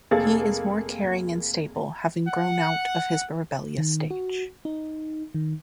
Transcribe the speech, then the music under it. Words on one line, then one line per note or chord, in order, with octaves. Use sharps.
He is more caring and stable, having grown out of his rebellious stage.
F1 A#3 G#4 A4 A6
F#5
D#3
F#4
D#4
D#3